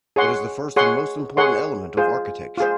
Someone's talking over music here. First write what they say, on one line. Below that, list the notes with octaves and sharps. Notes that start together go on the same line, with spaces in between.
It is the first and most important element of architecture.
G#4 C#5 F#5 C6
G#4 C#5 F#5 C6
G#4 C#5 F#5 C6
F4 G#4 C5
F4 G#4 C5